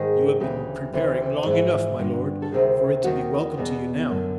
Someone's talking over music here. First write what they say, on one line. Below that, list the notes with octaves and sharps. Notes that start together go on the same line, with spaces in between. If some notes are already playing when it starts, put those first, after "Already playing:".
"You have been preparing long enough, my lord, for it to be welcome to you now."
Already playing: G#2 D#3 G#4
D2 C#3 E3 G4
D2 C3 E3
G#2 E3
G2 D3
A4
D2 C3 D#3 G#4
D#2 D#3 F#4
E2 B2
F#2 D3